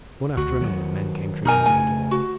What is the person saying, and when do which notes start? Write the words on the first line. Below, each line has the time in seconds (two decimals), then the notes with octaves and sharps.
One after another, men came trooping to the door.
0.37 D2 F#4
0.61 D#3 F#3
1.45 B2 D#4 A#4 G#5
1.66 C#3 A3 G#5
2.11 F#4